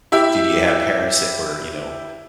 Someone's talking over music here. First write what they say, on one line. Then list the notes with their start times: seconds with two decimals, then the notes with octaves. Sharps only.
Did you have parents that were, you know,
0.12 E4 G4 E5